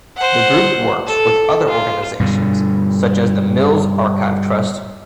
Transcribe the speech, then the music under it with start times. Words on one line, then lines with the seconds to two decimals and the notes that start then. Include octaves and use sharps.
The group works with other organisations such as the Mills Archive Trust.
0.16 C5 F#5
1.06 A4
1.68 F4
2.20 G2 B2 D3